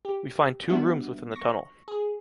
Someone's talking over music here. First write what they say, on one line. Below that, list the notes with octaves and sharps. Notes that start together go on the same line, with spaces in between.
We find two rooms within the tunnel.
G4
G3 B3 D4 F#4 E5
C#6 A#6
G#4